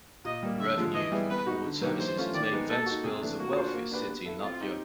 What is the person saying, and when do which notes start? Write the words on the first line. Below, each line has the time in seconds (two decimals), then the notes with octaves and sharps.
The revenue from port services has made Ventspils the wealthiest city in Latvia.
0.25 A#2 D#5
0.43 G3 A#3
0.60 D3 E5
0.78 F3 G#3
0.94 E3 D#5
1.12 G3 B3 E4 G#4
1.30 B3 B4
1.46 D#4 F#4
1.65 D3
1.81 F#3 A#3 D#4 G4
1.99 E3 C5
2.17 A3 C#4 F4
2.34 D#3 D5
2.52 G#3 B3 D#4 G#4
2.69 A#3 A4
2.86 D#4 F#4
3.04 C3 G#4
3.22 E3 A3 D4
3.38 A#3 F#4
3.56 D4 F4 G#4 C5
3.74 A#3
3.91 D4 G4 B4
4.09 B3
4.25 E4 A4
4.44 C4 F4
4.61 D#4 G4